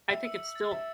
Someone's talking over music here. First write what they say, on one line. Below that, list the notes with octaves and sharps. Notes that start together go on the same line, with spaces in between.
I think it's still
E5 C#7
E6
E6
A6
E5 E6